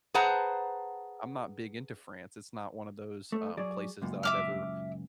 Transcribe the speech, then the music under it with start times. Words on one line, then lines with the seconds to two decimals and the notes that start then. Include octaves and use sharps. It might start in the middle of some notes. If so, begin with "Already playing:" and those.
I'm not big into France, it's not one of those, um, places that I've ever
0.14 G#4 B4 C5 F#5 A5 A#5
3.32 A3
3.57 F#3 G#4 D5
4.02 C#2 F#2 A#2
4.23 E5 D6 F6